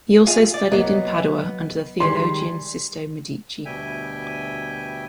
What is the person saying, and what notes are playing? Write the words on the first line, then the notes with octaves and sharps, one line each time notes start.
He also studied in Padua under the theologian Sisto Medici.
F4 G#4 F5
D5
F#3 A#3 B3 D#5
D#3 G3 G#3 C6
D2 B2 G3 E5 G5 G#5